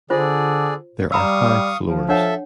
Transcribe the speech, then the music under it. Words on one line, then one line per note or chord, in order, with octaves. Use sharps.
There are five floors.
D3 F4 G#4 C5 D5
G3 F5 A#5 B5 C#6 D#6 E6
F3
D4 A4 C#5 E5 F#5